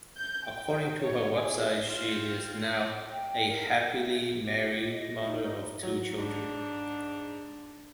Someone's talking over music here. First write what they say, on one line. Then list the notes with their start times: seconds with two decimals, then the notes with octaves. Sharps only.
According to her website, she is now a happily married mother of two children.
0.17 G6
0.47 G5
1.00 C#5
1.35 G#4
1.87 C4 F4
3.10 G5
3.48 A#4
3.93 E5
4.30 G4
4.90 D#5
5.25 D#4
5.83 F#3
6.18 G#2 D4